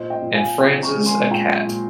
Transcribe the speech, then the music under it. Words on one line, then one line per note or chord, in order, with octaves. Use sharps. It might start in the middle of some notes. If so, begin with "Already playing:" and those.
And Franz's a cat.
Already playing: A#2 C5 D#5
D#5 G5
A#2
F5 G#5
C4 G5 A#5
A#5 C#6
G#3
G#5 C6
A#2 G5 A#5
A#2